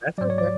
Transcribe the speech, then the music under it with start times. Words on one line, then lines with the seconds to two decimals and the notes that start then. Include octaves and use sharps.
That's okay.
0.18 G#2 F#3 D5
0.30 C#5
0.38 D5